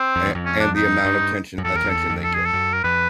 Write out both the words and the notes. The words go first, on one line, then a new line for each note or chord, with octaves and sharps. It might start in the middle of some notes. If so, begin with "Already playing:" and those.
a and the amount of tention attention they get
Already playing: C4
F2
E2
F2
C#4
D4
D#4
G2
F#2
F2 A4
E2 A#4
F2
A4
E2
F2
A4
G#4
A4
F#2
A#4
F2 B4